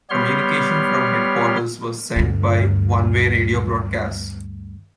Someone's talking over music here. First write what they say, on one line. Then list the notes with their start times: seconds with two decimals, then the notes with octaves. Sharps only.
Communication from headquarters were sent by one-way radio broadcasts.
0.10 G3 B3 G4 C#5 C6 F6
2.16 D2 G2